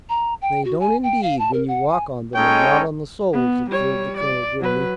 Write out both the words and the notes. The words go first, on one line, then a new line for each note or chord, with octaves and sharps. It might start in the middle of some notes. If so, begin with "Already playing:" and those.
"They don't, indeed, when you walk on them and not on the soles," observed the colonel grimly.
A#5
G5
F#4
G#5
G5
F5
A5
A#4
F#5
G#5
G#3 C#4 D#4 A4 C#5 G5
B3
G3 C#5
D5
F#3 B4